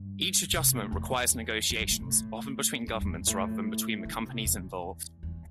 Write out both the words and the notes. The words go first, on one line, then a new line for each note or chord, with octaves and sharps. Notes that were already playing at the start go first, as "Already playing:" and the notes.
Each adjustment requires negotiations, often between governments rather than between the companies involved.
Already playing: G2
C3
A2
E2
G2
G2
A2
C3
A2
G2
E2
G2
A2
D3
C3
E2
E2